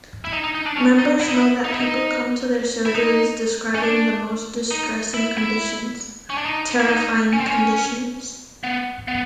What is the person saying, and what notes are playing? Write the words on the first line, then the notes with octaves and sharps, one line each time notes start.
Members know that people come to their surgeries describing the most distressing conditions-terrifying conditions.
E4
D#4
D#4
D#4
D4
C#4
D#4
E4
D#4
E4
D#4
E4
D#4
E4
D#4
C#4
D4
D#4
E4
E4
C#4
D4
D#4
E4
D#4
C#4
C4
C#4
B3
B3